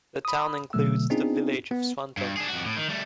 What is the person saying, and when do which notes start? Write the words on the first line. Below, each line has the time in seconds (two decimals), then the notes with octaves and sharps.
The town includes the village of Swanton.
0.25 B5 D#6
0.73 B2 D3 F#3 A3 E6
1.10 B3 C4 D4 D#4 F4 G#4
1.71 B3
2.17 G2
2.37 D4 G#4
2.49 F2 F#4
2.65 A2
2.77 D#3
2.89 G3 A3